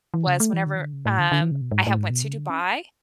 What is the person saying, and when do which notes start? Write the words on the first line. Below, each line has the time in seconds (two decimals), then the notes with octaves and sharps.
was whenever um, I had went to Dubai,
0.14 E3
0.27 C#3
0.40 A3
0.53 E3
0.66 D3
0.75 E3
0.79 D3
0.93 C#3
1.05 A2
1.19 D3
1.32 D3
1.41 E3
1.51 C#3
1.61 B2
1.71 G#2
1.87 A2
1.98 G#2
2.10 B2
2.24 C#3
2.37 D3
2.50 C#4